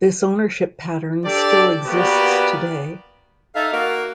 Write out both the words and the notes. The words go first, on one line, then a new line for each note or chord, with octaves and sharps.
This ownership pattern still exists today.
D4 G4 A4 D5
A#3 B3 F#4 G4 B4 D5
D#4 A4 E5 F5
A#3 F#4